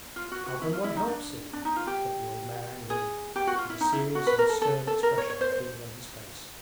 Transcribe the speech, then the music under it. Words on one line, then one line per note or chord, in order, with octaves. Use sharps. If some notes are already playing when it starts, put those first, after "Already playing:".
'How can one help seeing?' said the old man angrily, and a serious and stern expression appeared on his face.
F4
F#4
F#4
E4
F4
E4
D#4
D4
D4
D#4
F4
G4
G#4
G4
F#4
F4
E4
D#4
E4
F#4
B4
A#4
A4
A4
A4
A#4
C#5
C#5
C5
C5